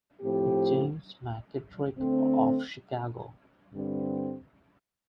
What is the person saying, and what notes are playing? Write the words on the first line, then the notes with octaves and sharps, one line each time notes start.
James McKittrick, of Chicago.
A2 F3 C4 G4
D3 A3 C4
G2 D3 G3 C4